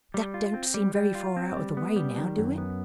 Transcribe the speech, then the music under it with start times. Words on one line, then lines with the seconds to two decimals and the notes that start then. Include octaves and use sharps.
That don't seem very far out of the way now, do it?'
0.14 G3
0.34 F4
0.54 C4
0.74 G3
0.95 G3
1.15 F4
1.36 C4
1.56 G3
1.77 B3
1.96 G3
2.18 D#3
2.38 F#2
2.58 B3